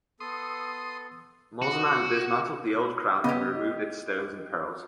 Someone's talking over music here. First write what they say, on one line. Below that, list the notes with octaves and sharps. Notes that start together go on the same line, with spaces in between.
Mosman dismantled the old crown and removed its stones and pearls.
B3 A4 C6 D#6
F#4
C#3 B3 G4 D#5